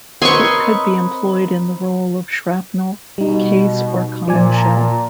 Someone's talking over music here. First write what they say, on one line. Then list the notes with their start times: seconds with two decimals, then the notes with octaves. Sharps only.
It could be employed in the role of shrapnel, case or common shell.
0.22 C4 A#4 B4 C#5 D#5 G#5 C6 C#6
3.18 B2 G3 D#4
4.28 A#2 F3 D5 G#5
4.53 A5 A#5